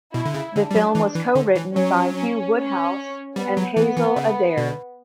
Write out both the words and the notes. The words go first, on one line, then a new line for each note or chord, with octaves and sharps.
The film was co-written by Hugh Woodhouse and Hazel Adair.
B2 E4
D3
C#3
D3 D4
G3
F#3
E3
E3
D3
E3
F#3 C#4
C#4
C#4
G3 B3
F#3
E3 B3
E3
C#3
B2